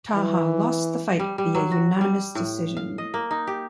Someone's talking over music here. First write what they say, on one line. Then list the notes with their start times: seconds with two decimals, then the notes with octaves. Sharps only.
Taha lost the fight via unanimous decision.
0.14 E3
1.20 G3
1.38 G3
1.55 F#3
1.71 F#4
2.01 G3
2.35 A2
2.77 F5
2.98 D#5
3.14 A#3
3.31 D#4
3.47 G4